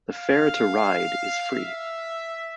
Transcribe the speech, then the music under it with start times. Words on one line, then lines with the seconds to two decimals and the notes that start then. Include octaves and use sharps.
The fare to ride is free.
0.13 F5
1.51 E5